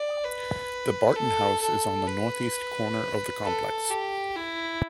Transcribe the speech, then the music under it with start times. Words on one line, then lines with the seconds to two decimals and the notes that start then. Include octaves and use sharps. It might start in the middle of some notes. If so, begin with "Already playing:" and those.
The Barton House is on the north east corner of the complex.
Already playing: D5
0.24 B4
1.16 A4
1.62 A4
2.07 B4
3.44 A4
3.90 G4
4.36 E4